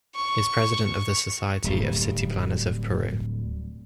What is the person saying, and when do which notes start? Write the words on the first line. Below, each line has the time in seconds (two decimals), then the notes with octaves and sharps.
He is president of the Society of City Planners of Peru.
0.16 C#6
1.64 D1 G3